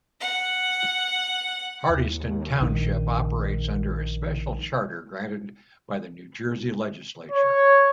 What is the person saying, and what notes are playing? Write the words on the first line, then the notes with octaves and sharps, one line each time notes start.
Hardyston Township operates under a Special Charter granted by the New Jersey Legislature.
F#5
D#2
A#1 D#3
C#5